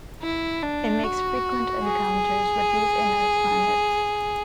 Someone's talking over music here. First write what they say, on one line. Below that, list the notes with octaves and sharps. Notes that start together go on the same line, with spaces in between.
It makes frequent encounters with these inner planets.
E4
D4
F#4
G#4